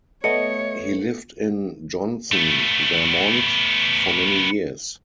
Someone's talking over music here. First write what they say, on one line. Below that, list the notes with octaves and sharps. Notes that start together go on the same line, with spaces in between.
He lived in Johnson, Vermont for many years.
A3 B3 C#5 D#5 C#7
A3 B3